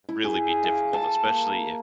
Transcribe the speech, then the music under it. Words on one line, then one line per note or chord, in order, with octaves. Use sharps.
really be difficult, especially if,
E4
G#4
F5
A5
A#3